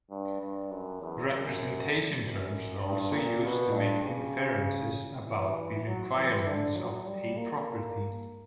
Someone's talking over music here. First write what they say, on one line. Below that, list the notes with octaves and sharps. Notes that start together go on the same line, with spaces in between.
Representation Terms are also used to make inferences about the requirements of a property.
G2
G2
F#2
E2
F#2
F#2
G2
A#2
B2
G2
C#3
E3
F#3
E3
D3
F#3
G3
A#3